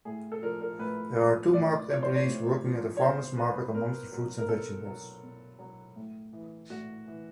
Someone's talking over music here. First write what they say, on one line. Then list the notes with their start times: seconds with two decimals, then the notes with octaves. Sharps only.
There are two market employees working at a farmer 's market amongst the fruits and vegetables.
0.05 A2 G#4
0.32 A4
0.42 F3 A#4
0.61 A#4
0.79 A2 B4
1.17 F3
1.53 A2 D5
1.90 F3 C#5
2.03 C5
2.16 C#5
2.27 A2
2.64 F3
2.97 C#5
3.01 B2 C5
3.37 F#3 B4
3.74 B2 A#4
4.12 F#3
4.38 A#4
4.49 B2 A4
4.85 F#3
5.23 B2
5.59 F#3
5.96 A2
6.33 E3
6.70 A2 F#4
7.07 E3